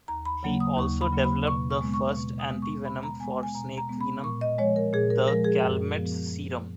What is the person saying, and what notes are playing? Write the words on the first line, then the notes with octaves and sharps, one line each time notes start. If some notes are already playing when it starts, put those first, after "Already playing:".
He also developed the first antivenom for snake venom, the Calmette's serum.
D#2 A#5
B5
C#3 F#3 A#3
D#6
D#2 C#6
B5
C#3 F#3 A#3
B5
B2 C#6
C#6
G#3 B3
C#6
B2 C#6
D#6
G#3 B3
C#6
B2 B5
A#5
G#3 B3 G#5
G#5
B2 A#5
A#5
G#3 B3
B5
A#2 C#6
D#5
F3 G#3 C#5
A#4
A#2 G#4
A#4
F3 G#3 A#4
G#4
F#2
F3 B3
F#2